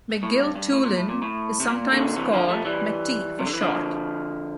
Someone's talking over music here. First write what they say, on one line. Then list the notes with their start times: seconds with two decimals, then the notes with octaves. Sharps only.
McGill-Toolen is sometimes called "McT", for short.
0.23 A2
0.40 G2
0.56 G2
0.72 A2
0.84 A#2
0.97 A2
1.09 A#2
1.22 A2
1.60 C3
1.68 A#2
1.92 A#2 D3
2.16 C3 E3
2.32 D3 F3
2.48 F3 A3
2.65 E3 G3
3.39 C3
3.46 D3
3.53 E3
3.61 D3 F3